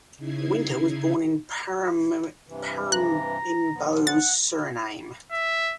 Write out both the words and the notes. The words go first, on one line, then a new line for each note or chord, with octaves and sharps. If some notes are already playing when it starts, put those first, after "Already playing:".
Winter was born in Paramaribo, Suriname.
C#3 D#4 E4 G#6 C7
G2 C3 E3
A#5 F#6
A#2 F3 B3
F#5 A6
E5